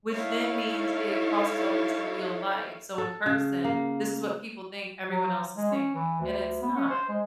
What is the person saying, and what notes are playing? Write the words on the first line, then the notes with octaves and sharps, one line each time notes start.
which then means it crosses over to real life. So in person, this is what people think everyone else is thinking, and it's not,
D#4 E4 A4 C#5 F5
A4
C#3
A#3
F#3
G#3
C#4
E3
D2
B3
C#4
C5
G#3